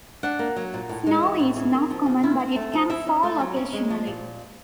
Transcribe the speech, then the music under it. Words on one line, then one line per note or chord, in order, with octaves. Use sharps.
Snow is not common but it can fall occasionally.
D4 F#5
A#3
F#3
A#2
A2
G#3
E3
A2
C#3 G#5
A#3
F3
C#3
E4
C4
A3
F3
E4 E5
C#4
A3
F#3
C#4
G#3
F3
A#2